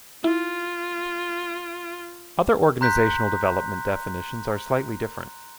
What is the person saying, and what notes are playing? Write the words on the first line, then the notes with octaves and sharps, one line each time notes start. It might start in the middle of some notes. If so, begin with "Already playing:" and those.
Other organizational development definitions are slightly different.
E4 F4
A#5 C6 F#6 G6 B6